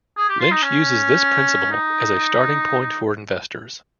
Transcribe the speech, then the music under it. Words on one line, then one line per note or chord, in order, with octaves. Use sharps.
Lynch uses this principle as a starting point for investors.
G#4
G4
F4
D#4
C#4
D#4
D#4